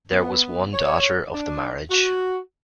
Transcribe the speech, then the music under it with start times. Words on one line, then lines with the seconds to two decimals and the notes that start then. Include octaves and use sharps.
There was one daughter of the marriage.
0.11 B3
0.73 C#5
1.33 D4
1.90 F#4